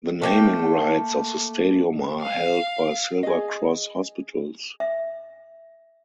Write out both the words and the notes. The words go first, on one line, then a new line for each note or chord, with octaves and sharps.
The naming rights of the stadium are held by Silver Cross Hospitals.
A3 A#3 G5
F5
G#4 D#5
E5